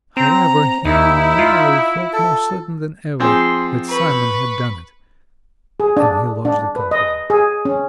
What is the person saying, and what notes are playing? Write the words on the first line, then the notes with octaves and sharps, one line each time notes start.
However' he now felt more certain than ever that Simon had done it, and he lodged a complaint.
C4 A#5
D#2 D#4 E4
F4
A4
F3 C4 G#4 C6
B4 C#6
G#4
D4
D4
B4
D#5
G#4
C#4